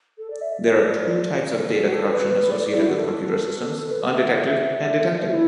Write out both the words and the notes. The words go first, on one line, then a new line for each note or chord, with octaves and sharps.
There are two types of data corruption associated with computer systems: undetected and detected.
A4
D5
E5
D5
A4
F#4
F#4
A4
D5
B4
D5
D5
E4
F#4
A4
B4
F#5
E5
F#5
E5
E4